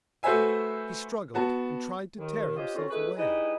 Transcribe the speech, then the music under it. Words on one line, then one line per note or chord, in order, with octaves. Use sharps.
He struggled, and tried to tear himself away.
A3 F#4 B4 C5 E5 G#5
B3 F#4 A5
D#2 D#3
D4 F4 G4 C5 C#5 D#5
D3 C4 C#4 F4 F#4
C#2 G#3 A3 B4
G3 G#3 D#4 E4 B4 D#5